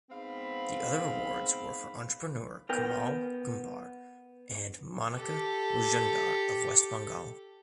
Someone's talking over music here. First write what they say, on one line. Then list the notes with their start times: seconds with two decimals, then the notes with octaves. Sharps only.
The other awards were for entrepreneur Kamal Kumbhar and Monika Majumdar of West Bengal.
0.10 G#2 B3 C4 F5 B5
2.69 B3 A#4 G5
5.15 G4 A4